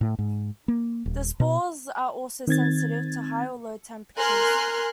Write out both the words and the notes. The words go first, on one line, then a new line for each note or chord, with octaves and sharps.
The spores are also sensitive to high or low temperatures.
A2
G#2
A#3
D#1
B2
D#3 C4 G#6 A6
A#4 G#5 C6 F6 F#6